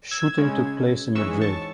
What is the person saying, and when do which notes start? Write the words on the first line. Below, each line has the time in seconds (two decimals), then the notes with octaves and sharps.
Shooting took place in Madrid.
0.11 E6 G#6
0.37 C#3 G#3 C#4
1.15 G#2 E3 G#3 C#4 C#6 E6
1.41 A5 C#6